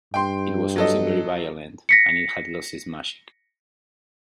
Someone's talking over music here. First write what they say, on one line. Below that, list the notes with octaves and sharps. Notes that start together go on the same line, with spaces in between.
It was also very violent and it had lost its magic.
G2 G5 C6
F#3 A4 D#5
A#6 B6 C#7